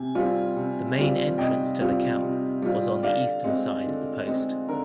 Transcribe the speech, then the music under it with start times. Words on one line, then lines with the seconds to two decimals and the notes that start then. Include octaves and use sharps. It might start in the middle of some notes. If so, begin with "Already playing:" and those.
The main entrance to the camp was on the eastern side of the post.
Already playing: C3 G#5
0.15 G3 C4 F4
0.57 C3
0.98 G3 C4 F4
1.38 C3 D#5 G5
1.80 G3 C4 F4
2.22 C3
2.62 G3 C4 F4
3.03 D3 D5 F5
3.44 G#3 C4
3.86 D3
4.27 G#3 C4
4.68 D3 A#4